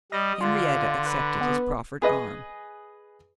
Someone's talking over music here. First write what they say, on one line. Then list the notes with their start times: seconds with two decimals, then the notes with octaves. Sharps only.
Henrietta accepted his proffered arm.
0.12 G3 D#5
0.41 D3 F4
1.06 B4
1.40 B3
2.02 G#4 B4 D#5 D#6